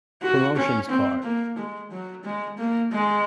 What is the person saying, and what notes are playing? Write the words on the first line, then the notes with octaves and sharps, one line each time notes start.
Promotions card.
F#4
C#4
C4
A#3
G#3
F#3
G#3
A#3
G#3